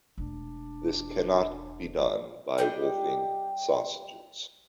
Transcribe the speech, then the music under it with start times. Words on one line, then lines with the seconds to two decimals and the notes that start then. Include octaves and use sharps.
This cannot be done by wolfing sausages.
0.18 E1 A3 D4
2.58 G3 D4 D#5 G5